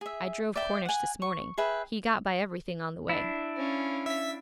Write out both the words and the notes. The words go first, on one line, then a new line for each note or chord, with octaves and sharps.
I drove Cornish this morning; he got by everything on the way.
G#4 E5
D5 E5 G5
F#5 G#5
C#6
G#4 B4 E5 G5
D4 E4
C#4 F5
E5 B6